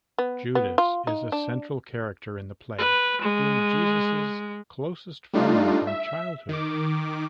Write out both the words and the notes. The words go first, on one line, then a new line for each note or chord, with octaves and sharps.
Judas is a central character in the play, being Jesus' closest friend from childhood.
B3
B3
F4
D#4
D4
B4
G#3
G3 A3 D4 D#4 F4
E5
D#3 D6